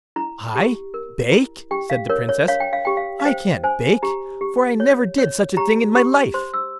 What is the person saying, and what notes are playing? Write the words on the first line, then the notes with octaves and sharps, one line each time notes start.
'I bake!' said the Princess; 'I can't bake, for I never did such a thing in my life.'
E4 A#5
G4
A#4
E4
G4 G5
F5
A#4 C#5
C#5
C#5 F5
G5
F5
G4 G5
F5
F5
C5 G5
C5 G#5
G4 A#5
G4
C#5
C#5
G4 A#5
G4
C5 C6
E6